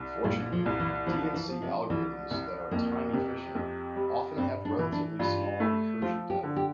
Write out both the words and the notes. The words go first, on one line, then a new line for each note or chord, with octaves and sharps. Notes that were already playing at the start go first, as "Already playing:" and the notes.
Fortunately, D and C algorithms that are time-efficient often have relatively small recursion depth.
Already playing: C2
A#2 G3
F3
C2
E3
E3 F3
E3
F3
C3
C2 E3
C2 C3
F2 A#3
C3
F2
G3
G2 C4
D4
E3
D4
G2 F4
A3
F3 F4
G4
D3
G4